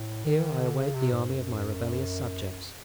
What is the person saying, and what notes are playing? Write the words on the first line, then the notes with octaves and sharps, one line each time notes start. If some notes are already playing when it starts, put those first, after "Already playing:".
Here I await the army of my rebellious subjects.
Already playing: A2
D#3
D3
C#3
C3
G#2
F#2